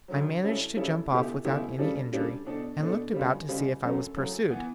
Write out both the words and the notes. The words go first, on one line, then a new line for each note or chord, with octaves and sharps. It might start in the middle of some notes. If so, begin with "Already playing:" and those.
I managed to jump off without any injury, and looked about to see if I was pursued.
D2 D3 F#3
C#3 G3 C#4 E4 A4
C#3 G3 C#4 E4 A4
C#2 B2 A3 E4 G4
C#2 B2 A3 E4 G4
C#3 G3 D4 A4
C#3 G3 D4 A4
B2 A3 D4 A4
B2 A3 D4 A4
C#2 C#3 G3
C#2 C#3 G3
F#2 C#3 F#3 A3
F#2 C#3 F#3 A3
E3 B3